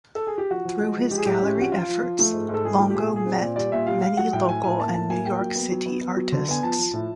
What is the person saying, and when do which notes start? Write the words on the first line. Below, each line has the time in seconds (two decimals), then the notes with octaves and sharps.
Through his gallery efforts, Longo met many local and New York City artists.
0.15 A4
0.27 G#4
0.38 G4
0.50 F3 F#4
0.65 F3
0.81 G#3
0.97 F3
1.11 G#3 G4
1.18 G#4
1.25 A2 G4
1.42 C#4
1.57 F3 F#4
1.72 F3 F4
1.88 F3
2.03 F3
2.19 A3
2.33 G#2
2.49 G#2
2.54 A4
2.65 A3 G#4
2.80 A3
2.90 G4
2.95 A#2 G#4
3.11 A#2 G#4
3.26 C4
3.36 D5
3.41 A#2
3.56 G3 D5
3.72 A#2 E5
3.87 G3 F5
4.02 G3 F5
4.17 F#3 F#5
4.33 A2 G5
4.49 A2 G#5
4.63 A2 G#5
4.79 A#3 A5
4.94 A2 A5
5.10 A#3 G#5
5.25 A#3 G5
5.41 F#3
5.55 B3
5.72 F#3
5.86 B3
6.01 B3
6.16 F#3
6.32 D3
6.48 B3 G#5
6.63 F3 A5
6.78 F3
6.93 A2